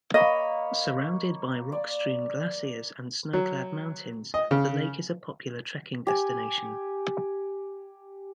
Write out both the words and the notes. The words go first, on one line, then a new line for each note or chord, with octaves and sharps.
Surrounded by rock-strewn glaciers and snow-clad mountains, the lake is a popular trekking destination.
A#3 C#5 D#5 B5
D5
F#3
D#5
C#3
G4 G#5